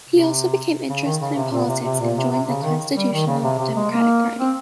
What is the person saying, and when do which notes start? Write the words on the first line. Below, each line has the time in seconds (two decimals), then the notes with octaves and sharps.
He also became interested in politics, and joined the Constitutional Democratic party.
0.09 C3
0.89 C#3
1.04 D#3
1.20 C#3
1.35 C3
1.52 A#2
1.68 C3
1.85 C3
2.00 A#2
2.16 C3
2.32 C3
2.48 C#3
2.63 D#3
2.96 G3
3.12 D#3
3.27 C#3
3.43 C3
3.59 C3
3.75 G#3
3.91 A#3
4.40 C4